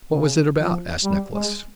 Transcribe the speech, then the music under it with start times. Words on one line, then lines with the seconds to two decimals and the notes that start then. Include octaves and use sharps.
"What was it about?" asked Nicholas.
0.11 C#3
0.58 F3
1.03 G3
1.33 G#3